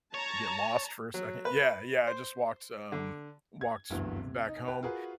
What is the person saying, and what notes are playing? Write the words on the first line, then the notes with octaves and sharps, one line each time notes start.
get lost for a second" Yeah, yeah, I just walked um, walked back home,
C#5 A5 A#5
F#3
B4
C5
D3
G#6
F#1 D2 G2 B2 E3 F#3
C3
D#4
B4 G5
F4 F#4 G#4 A#4 B4